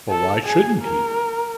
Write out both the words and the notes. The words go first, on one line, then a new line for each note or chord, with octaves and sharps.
"Why shouldn't he?"
A4
G#4
A#4